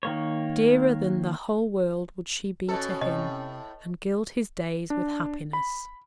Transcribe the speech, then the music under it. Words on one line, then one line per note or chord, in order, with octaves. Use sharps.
Dearer than the whole world would she be to him and gild his days with happiness.
D#3 A#3 C#5
B2 C#4 A4
A2 C3 D#5
D4
B5